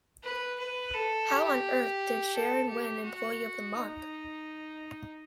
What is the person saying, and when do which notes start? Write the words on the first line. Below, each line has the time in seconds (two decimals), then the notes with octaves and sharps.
How on earth did Sharon win employee of the month?
0.23 B4
0.59 B4
0.94 A4
1.29 G4
2.34 A4
2.69 G4
3.04 F#4
3.74 D#4